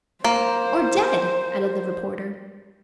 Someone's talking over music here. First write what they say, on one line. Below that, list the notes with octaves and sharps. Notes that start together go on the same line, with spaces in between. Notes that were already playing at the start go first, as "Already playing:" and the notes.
"Or dead!" added the reporter.
A#3 C5